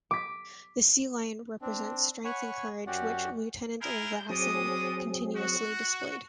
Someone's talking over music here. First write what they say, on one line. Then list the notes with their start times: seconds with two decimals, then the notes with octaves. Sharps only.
The sea lion represents strength and courage which Lieutenant Lassen continuously displayed.
0.11 D6 B6
1.62 C4 D4
2.25 C#5 F#5 G#5 B5 C#6
2.87 F#2 C#4 F#4 G4 D5 F#5
3.81 E4 G#4 A#4 G6
4.30 F#3 G#3 C4 G#4 D5 D#6
5.35 F#4